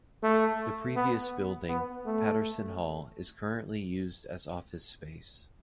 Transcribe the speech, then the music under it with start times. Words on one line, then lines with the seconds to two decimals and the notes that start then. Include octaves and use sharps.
The previous building, Patterson Hall, is currently used as office space.
0.23 A3
0.96 B3
1.69 B3
2.06 A3